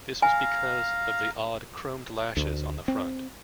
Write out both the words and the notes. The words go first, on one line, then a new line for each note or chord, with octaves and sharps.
This was because of the odd chromed "lashes" on the front.
F5 G#5 A#5
D2
C4